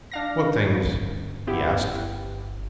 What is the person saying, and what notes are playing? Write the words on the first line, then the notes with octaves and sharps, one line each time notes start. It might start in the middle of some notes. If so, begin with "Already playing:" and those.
"What things?" he asked.
D4 F5 A#6
G1 C#4
B3 E4 G4